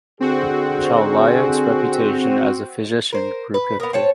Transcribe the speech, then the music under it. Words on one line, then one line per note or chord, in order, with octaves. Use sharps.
Chauliac's reputation as a physician grew quickly.
D3 C4 F#4 G#4
A#4 C5
B4
B3 A#4
C4 C#5 A5